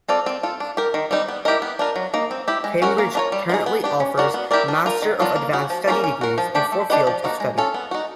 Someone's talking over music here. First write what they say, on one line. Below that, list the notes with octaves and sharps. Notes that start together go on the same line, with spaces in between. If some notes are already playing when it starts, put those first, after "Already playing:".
Cambridge currently offers master of advanced study degrees in four fields of study.
C4 F4 A4 D5
C4
F4 A4
D4
G4 A#4
D#3
G3 C4 D#4
B3
E4 G4 A#4 D#5
B3
D4 F4 A#4
F#3
A#3 D#4
C4
E4 G4
G#3
C#4 F#4 A#4
A#3
D4 F4 A#4 C#5
G3
B3 D#4 G#4
B3
D4 G4
C#4
F#4 A#4 D5
B3
E4 G4 A#4 D5
D4
F4 A#4
D#3
F#3 B3 D4 F4
A#3
C#4 F#4
F3
A#3 C#4 F#4 A#4
C#4
F#4 A#4
F3
A3 D4 G4
A3
D4 G4 B4 D#5
F3
A#3 D#4 F#4
G#3
C#4 F4 A4
B3
D#4 F#4